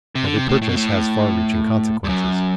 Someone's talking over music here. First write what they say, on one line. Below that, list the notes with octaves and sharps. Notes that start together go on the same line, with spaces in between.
Every purchase has far-reaching consequences.
C3
D3
C3
A2
A2
B2
A2
G2
F#2